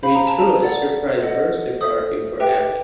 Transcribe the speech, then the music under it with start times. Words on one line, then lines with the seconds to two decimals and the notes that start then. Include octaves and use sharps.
We threw a surprise birthday party for Ali.
0.03 C5 F5 B5
0.15 A#5
0.27 A5
0.39 A#5
0.62 A4 D5 F#5
1.22 A4 C5 D#5 F#5
1.81 A4 C5 E5 D#6
2.40 G4 B4 E5 G5